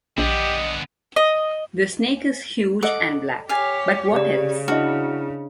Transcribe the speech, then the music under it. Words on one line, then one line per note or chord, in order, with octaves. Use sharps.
The snake is huge and black, but what else?
A#1 D3 B3 G4 D#5
D#5
A4 D#5 F#5 D6
G4 C#5 F5 G#5
C#3 G4 D5
D4 E4 F#4 D#5 F6